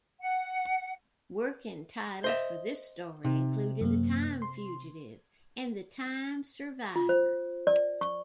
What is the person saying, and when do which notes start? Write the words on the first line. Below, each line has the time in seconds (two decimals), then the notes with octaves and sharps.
Working titles for this story included "The Time Fugitive" and "The Time Survivor".
0.21 F#5
2.24 C5 D#5 E5
3.25 C3 D#4
3.81 F#2 A#3
4.42 C6
6.96 F4
7.09 C5
7.67 D5
8.01 C#6